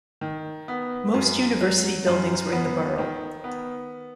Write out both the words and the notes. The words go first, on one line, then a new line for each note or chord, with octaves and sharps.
Most university buildings were in the borough.
D#3
B3
F#2
F#3
F#2
B3
D#3
B3